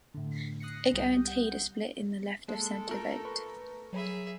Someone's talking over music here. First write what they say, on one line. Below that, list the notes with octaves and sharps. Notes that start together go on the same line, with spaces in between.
It guaranteed a split in the left-of-centre vote.
A2 D3
D#6 F#6 A#6 C7 C#7
C2 G3 G4 D#6 G6
F#5 G6
G#3 A#3 A4
A3 F4 A#4
B4 B5 C#6
F#3 G#4 C#5 E5 B5